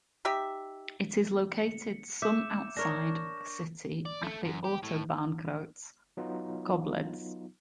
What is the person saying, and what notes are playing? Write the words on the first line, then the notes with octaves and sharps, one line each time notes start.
It is located some outside the city at the Autobahnkreuz Koblenz.
D#4 G4 E5
C#7
E5 D6 G6 E7
D4 A#4 C#5 C#6 A#6
D5
A3
F#2
G4
A2
F#3 B3 D#4 F4